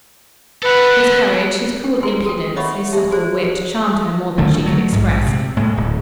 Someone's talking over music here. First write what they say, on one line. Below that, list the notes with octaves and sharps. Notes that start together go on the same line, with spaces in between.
His courage, his cool impudence, his subtle wit charmed her more than she could express.
A4 B4 F#5
G5
E4 G#4 B4 G5 C6
A4 G5
C#5 D#5 E5 F#5 B5 C#6
G4 E5 A5
F#4 G#4 C5 D5
D3 D#3 A3
F#3 A3
A#1 G#2
C3
A2 G#3
D1